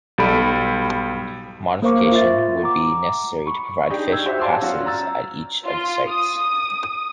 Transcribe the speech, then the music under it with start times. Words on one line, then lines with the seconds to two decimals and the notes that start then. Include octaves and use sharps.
Modification would be necessary to provide fish passes at each of the sites.
0.18 B1 G3 A4 B5 D7
1.82 A#3 A#4 C5 F5 C#6 D6
2.12 F4 E5 A6
2.62 F#5 A#5 D6
3.46 B5 C#6
3.89 D4 D#4 G4 G#4
4.12 E6 G6 G#6
4.26 F#4 G4 C5 E5
4.39 D5 F5 A5 C6 D6 E6
4.61 F#3 C#4 F4 F#4 D5
4.86 A#5 E6 A6
5.66 F4
6.06 D#6